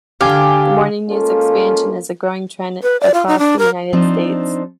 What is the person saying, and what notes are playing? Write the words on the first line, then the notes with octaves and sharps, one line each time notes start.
The morning news expansion is a growing trend across the United States.
D3 G4 F5 G#5
G#3 A#3 C#4 F4 A4
B4
D5
F4
D#4
D4
A#4
F3 C4 D4 D#4